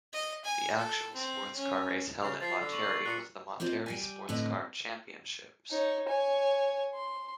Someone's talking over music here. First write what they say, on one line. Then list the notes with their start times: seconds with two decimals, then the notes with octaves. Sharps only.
The actual sports car race held at Monterey was the Monterey Sports Car Championships.
0.13 D#5
0.44 G#5
0.77 A4
1.14 C4
1.56 C#4
2.22 C#3 F7
2.41 F3 A6 C7
2.60 D3
2.73 C#6 F#7
3.06 A#2 F#6 C#7
3.60 A#3 C4 F4 C5 D#5
3.86 G3 G5 G#5
4.29 A2 D3 C4 B4 D#5
5.71 D#4 C#5
6.08 C#5 G#5
6.95 C6